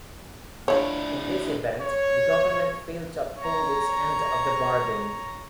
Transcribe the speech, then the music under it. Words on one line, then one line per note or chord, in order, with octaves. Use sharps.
In this event, the government failed to uphold its end of the bargain.
F3 D4 E4 C#5
C#5
C#5 A#5